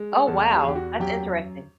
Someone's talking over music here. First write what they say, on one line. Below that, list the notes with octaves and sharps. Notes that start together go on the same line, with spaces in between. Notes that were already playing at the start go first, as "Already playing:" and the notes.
Oh, wow, that's interesting.
Already playing: G#3
E2 A4
G4
G#4
E2 G4
F#4
F#2 G4